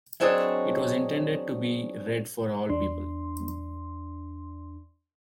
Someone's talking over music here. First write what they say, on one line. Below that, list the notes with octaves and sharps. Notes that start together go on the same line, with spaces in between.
It was intended to be read for all people.
F#3 C4 D4 G#4 C#5 D#5
E2 D4 C6